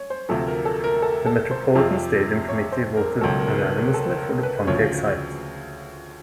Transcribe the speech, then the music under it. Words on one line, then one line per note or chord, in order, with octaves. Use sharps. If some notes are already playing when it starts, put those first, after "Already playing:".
The Metropolitan Stadium Committee voted unanimously for the Pontiac site.
Already playing: C#5
C5
D2 C3 F3 A4
A#4
A4
A#4
A4
A4
C5
F2 C3 F3
C#5
C5
A#4
C#2 B2 F#3 A4
A#4
B4
A#4
A4
A#4
B4
D2 C#3 F3 C#5